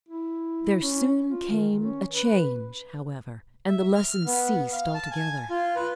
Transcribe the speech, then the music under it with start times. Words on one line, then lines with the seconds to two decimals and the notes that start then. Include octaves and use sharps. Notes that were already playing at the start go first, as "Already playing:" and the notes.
There soon came a change, however, and the lessons ceased altogether.
0.09 E4
0.82 C#4
1.28 F4
1.51 D#3
1.80 C#4
2.11 B4
3.68 E5
3.95 F6
4.26 B3
4.73 F5
4.94 A5
5.11 G#5
5.50 F4
5.76 B4